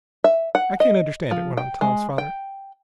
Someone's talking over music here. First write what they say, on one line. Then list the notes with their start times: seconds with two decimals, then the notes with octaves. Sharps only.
"I can't understand it," went on Tom's father.
0.24 E5
0.55 F#5
0.80 D#5
1.31 F3
1.57 G5
1.81 G#3
2.18 G5